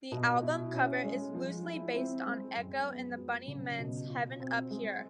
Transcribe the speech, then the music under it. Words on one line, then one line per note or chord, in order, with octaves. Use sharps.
The album cover is loosely based on Echo and the Bunnymen's "Heaven Up Here".
B2
E4
C#4
G#3
F3
E4
C4
G#3
F#2
B3
F#3
C#3
B2
F4
C4
G#3